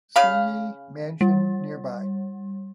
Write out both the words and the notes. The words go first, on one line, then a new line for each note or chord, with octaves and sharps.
Seay Mansion nearby.
C#3 F5 B5
G3